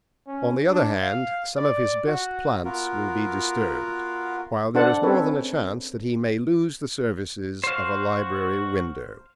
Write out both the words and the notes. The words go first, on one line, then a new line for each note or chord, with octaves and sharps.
On the other hand, some of his best plants will be disturbed, while there is more than a chance that he may lose the services of a library window.
C#4
D4
F5
D5
F#4
B3 F4 F#4 A#4
D4 A4 C5 F#5 A5
C4 C#4 A4 B4 C#5
F#4 C5 F5